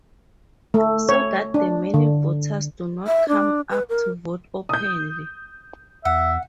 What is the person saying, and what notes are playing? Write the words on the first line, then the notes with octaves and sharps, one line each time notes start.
So that the many voters do not come up to vote openly.
A3
C#5
D4
D3
E5
D4
B4
A#4
D#6 G6
E2 E5 F#5